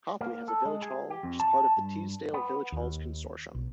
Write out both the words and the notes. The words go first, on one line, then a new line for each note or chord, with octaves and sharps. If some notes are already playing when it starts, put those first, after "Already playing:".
Copley has a Village Hall which is part of the Teesdale Village Halls' Consortium.
A#3
A4
G#3
G#4
G4
F2
A5
G2
B3
D#2
B1